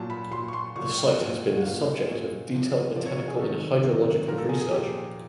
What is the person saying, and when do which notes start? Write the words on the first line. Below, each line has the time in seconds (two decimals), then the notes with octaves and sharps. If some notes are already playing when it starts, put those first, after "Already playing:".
The site has been the subject of detailed botanical and hydrological research.
Already playing: A#2 F#3 A5
0.10 B5
0.31 A#2 F#3 C6
0.48 C#6
0.53 C6
0.76 A#2 F#3 C#6
0.86 C#6
0.98 G5
1.08 F#5
1.19 A#2 F#3
1.57 F#5
1.63 A#2 F#3 F5
1.86 D#5
2.07 A#2 F#3
2.51 C3 F3
2.95 C3 F3 D5
3.06 C#5
3.28 G#4
3.39 C3 D#3 F#3 A4
3.84 C3 D#3 F#3
4.28 A#2 F3 A#4
4.38 A4
4.49 G#4
4.61 G#4
4.71 A#2 F3 G4